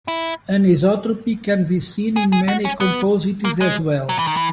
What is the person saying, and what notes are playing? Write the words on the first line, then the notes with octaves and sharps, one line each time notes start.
Anisotropy can be seen in many composites as well.
E4
G#4
G#4
F#4
C#4
B3
A#3
G#3
F#3
E3
D#3
E3